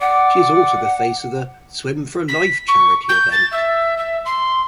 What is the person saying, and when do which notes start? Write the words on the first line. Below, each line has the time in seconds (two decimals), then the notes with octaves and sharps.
She is also the face of the "Swim for Life" charity event.
0.01 D5 F#5
2.28 B6
2.68 C#6
3.09 G6
3.31 A6
3.52 E5
3.98 E5
4.25 C6